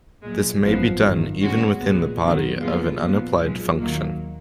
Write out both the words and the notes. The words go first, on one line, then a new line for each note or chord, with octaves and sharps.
This may be done even within the body of an unapplied function.
B1 A#2 G#3
G#1 F#2 F3 B3
G#1 F#2 D#3
B2 G#3 C#4 F#4
A#1 A#2 G#3 B3
F2 D#3 F#3 B3
A#2 F3 G#3 B3 F4
A#1 A#2 F3 B3
B1 A#2 F3 G#3
D#2 D#3 F#3 A#3